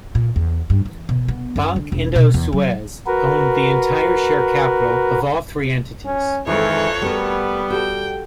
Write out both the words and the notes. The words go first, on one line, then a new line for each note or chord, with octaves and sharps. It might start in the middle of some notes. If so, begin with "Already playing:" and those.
Banque Indosuez owned the entire share capital of all three entities.
A#2
E2
G2
E3
B2
B3
F#2
D3
E1
B2
E2
F#3
F#4 A#4 B4
C#4
F2 D#3 E3 G#3 A4 C#5
G3 A3 B3 F#4 A#4
F#4 G4 A4 G5